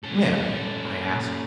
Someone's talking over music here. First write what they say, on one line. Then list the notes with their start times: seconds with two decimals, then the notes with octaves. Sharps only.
"When?" I asked.
0.04 C2 A2 C#4 A4
0.43 A#2